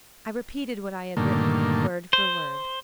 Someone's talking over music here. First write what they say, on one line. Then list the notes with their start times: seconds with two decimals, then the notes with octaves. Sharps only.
I repeated what I had written, word for word.
1.17 G2 A#2 D3 D#3 A3 A#3
2.13 C5